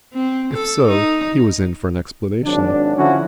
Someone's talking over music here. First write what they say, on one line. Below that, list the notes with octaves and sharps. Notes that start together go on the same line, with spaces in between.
If so, he was in for an explanation.
C4
A4
D#4
G#1 F#3 D4
D3 F3 C#4 E4 F#4